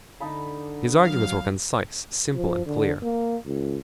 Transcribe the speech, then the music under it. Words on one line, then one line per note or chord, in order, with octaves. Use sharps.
His arguments were concise, simple, and clear.
D3 D#4 A5 B5
F#3 F5
F3
D3
A#3
C#2